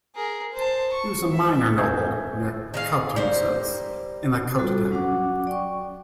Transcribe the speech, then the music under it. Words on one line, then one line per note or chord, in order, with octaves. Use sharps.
He was a minor noble near Coutances in the Cotentin.
G#4 A#4
C5 A5
C#6
E5
E5 G#5 E6 G6 G#6
D#3 G#4 F5
G3 A#3 C5
G3 F4 F#4 A4
F#3 C#4 F#4 F#5 D6
D5 G5 C#6